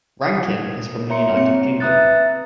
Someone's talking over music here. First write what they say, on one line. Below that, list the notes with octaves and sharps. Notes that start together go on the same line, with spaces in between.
Rankin is from the United Kingdom.
D#6 G#6
A#4
A#3 C#5 E5 A#5 C6 C#7
C4 C#5 C#7
B4 E5 A#5 D#6 F#6 A6